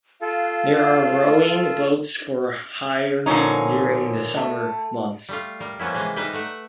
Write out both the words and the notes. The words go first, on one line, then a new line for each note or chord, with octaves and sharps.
There are rowing boats for hire during the summer months.
F4 A4 F5
A#2 D3 F3 C#4 D#4
A3
G3 A3 F4
G3 A#4
F3 A#3 B3 C#4 E4
C3 E3 G#3
G3 D#4 B4 D#5 E5 G5
A3 E5 F#5